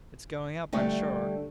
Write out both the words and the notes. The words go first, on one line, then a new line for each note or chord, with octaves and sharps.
"It's going up; I'm sure."
D3 G3 A3